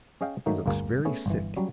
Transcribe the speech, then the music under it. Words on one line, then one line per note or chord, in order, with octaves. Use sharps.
He looks very sick.
C#4 G#4 D#5 F5 G5
D#3 F#3 A3 A#3 D#4
G1 D2 A#3 G#4
A3 B3 C#4 G#4
G1 E3
F#3 G3 C#4